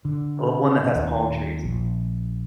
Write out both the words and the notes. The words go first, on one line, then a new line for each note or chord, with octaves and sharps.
well, one that has palm trees,
D3
D#2
A#1